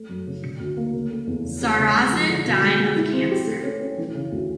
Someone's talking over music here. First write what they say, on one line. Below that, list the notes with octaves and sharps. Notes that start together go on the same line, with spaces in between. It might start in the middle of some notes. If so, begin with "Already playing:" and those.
Sarrazin died of cancer.
Already playing: A3
F#2
C#3
D3
D2
A#3
C#3
A3
E2
C#3
C#3
C#3
G#3
F3
D3
B2
G#3
G#3
E4
C4
G4
A3
C#4
C#4
E3
C#3
D2